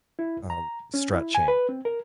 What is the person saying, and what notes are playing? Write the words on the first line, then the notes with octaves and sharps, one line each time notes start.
um, stretching.
E4
C2
A#5
C#4
E4
G#5
B4
C4
A#4